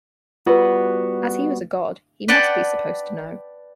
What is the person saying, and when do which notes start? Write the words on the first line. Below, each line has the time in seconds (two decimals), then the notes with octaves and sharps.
As he was a god, he must be supposed to know.
0.46 G3 B3 F4 F#4 B4
2.28 B4 D5 F#5 G5 A5